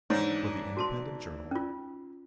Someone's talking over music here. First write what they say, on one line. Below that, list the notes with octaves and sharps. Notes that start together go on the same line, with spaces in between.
For the Independent Journal.
G#2 E3 D4 C#5
F#4 A5 C6
C#4 F4